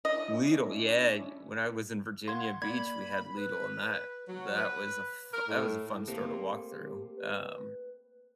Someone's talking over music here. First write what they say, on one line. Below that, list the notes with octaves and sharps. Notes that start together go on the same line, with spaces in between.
Lidl, yeah, when I was in Virginia Beach, we had Lidl and that that was a f that was a fun store to walk through, um
C#4 D4 E4 D#5
F5 F#5 C6 G#6
A#3 D5 B5 G#6
B4
F#3
B4
A#4
A2
A3 A#3 C4 G4
B4